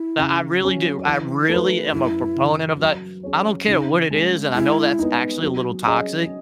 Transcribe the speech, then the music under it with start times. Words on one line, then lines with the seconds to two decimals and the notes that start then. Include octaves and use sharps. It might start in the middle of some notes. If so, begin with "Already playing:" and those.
I I really do, I really am a proponent of that. I don't care what it is, and I know that's actually a little toxic,
Already playing: E4
0.18 C#3
0.61 F#3 C#4
1.05 E3
1.49 A3 D#4 F#4 B4
1.92 F#2 E4
2.36 C#3 E3
2.79 F#3
3.23 C#4 G#4 C#5
3.67 C#3 D#4
4.11 G#3
4.16 C#4
4.55 G#3 E4
4.99 B3 D#4
5.42 F#3
5.86 C#4 G#4 D#5